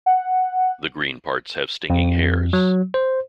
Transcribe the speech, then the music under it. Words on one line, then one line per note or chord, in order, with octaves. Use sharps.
The green parts have stinging hairs.
F#5
F2
F#3
C5